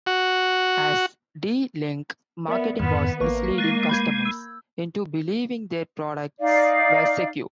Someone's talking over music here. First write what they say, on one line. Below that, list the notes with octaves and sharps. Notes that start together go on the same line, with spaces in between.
As D-Link marketing was misleading customers into believing their products were secure.
F#4
B3 A#4 D5 E5
F2 G#2 D#3 B3
A1 A#3 B4 C#6
G#3 F#6 A6 A#6
B5 G6 G#6
E6
D#4 D5 F5